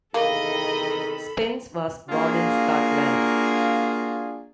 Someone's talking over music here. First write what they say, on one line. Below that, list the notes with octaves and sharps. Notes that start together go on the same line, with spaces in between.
Spence was born in Scotland.
E2 C3 D#3 A#3 A4 D#5 B5
A#3 D4 F4 F#4 G#4